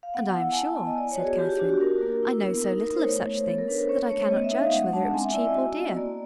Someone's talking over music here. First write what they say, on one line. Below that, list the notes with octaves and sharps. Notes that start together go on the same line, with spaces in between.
"And I am sure," said Catherine, "I know so little of such things that I cannot judge whether it was cheap or dear."
F5
B3 F#5
E4
G#5
E4 A5
A5
B3 G#5
D#5
B3 D5
C#5
F#4
G#4
F4 G4
G4
D4 F#4
F#4
D4 A#4
A#3
E4
B3
D#4 A#4
D#4
C5
A3 C#5
C#4
B3 A4
A#4
D4 B4
C5
C#4 C#5
A3 C#5
B3 D#5
E5
D#4
F5
G#3 F#5
D4 A5
C4 G#5
E5
E4 D5
D#5
F#4
B3
A#3 D5